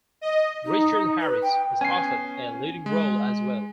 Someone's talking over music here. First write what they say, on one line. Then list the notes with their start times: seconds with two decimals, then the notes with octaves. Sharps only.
Richard Harris was offered a leading role as well.
0.21 D#5
0.64 D#4
1.21 B4
1.42 G5
1.81 B3 C#4 G#5 C7
2.86 G#3